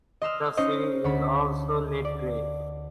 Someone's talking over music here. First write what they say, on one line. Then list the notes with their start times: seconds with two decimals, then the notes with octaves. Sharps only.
The cere is also lead grey.
0.22 D#5 C6 E6 F6
0.57 C#4 D#4 C5 D#5
1.04 D2 C#5 B5
2.05 D5